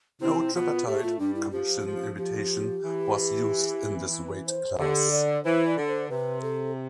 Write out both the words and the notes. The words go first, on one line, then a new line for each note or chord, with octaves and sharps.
No Tripartite Commission invitation was used in this weight class.
C3 C4 E4
B2 B3 F4
A2 A3 G4
F4
G2 G3 D4
E4
F3 G4
F3
F3 G4
E3
C5
D3 G4
D5
E3 C5
D5
D3
C5
C3 B4
A4